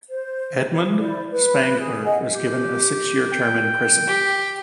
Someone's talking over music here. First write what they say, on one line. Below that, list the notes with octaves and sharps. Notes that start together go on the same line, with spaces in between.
Edmund Spangler was given a six-year term in prison.
C5
E4 C5 D5
B4
G#4
G#4 D#5 F#5 G#5
G4
G5
G4